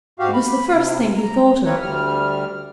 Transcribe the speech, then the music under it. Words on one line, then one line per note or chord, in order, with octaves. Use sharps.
It was the first thing he thought of.
G#2 F#4 G4 F5
B5
C3
A#5
A#3 C4 A#4 B4 C#5
D2 G3 F6